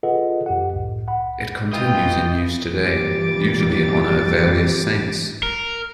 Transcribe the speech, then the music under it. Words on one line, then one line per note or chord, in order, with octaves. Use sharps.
It continues in use today, usually in honor of various saints.
F4 G#4 A4 B4 D#5 F#5
F#2 G4 F#5
C2 A2
F#5 B5
E3 F4 D#5 G5
G2 A#2 E3 G4 D6 A6
A#4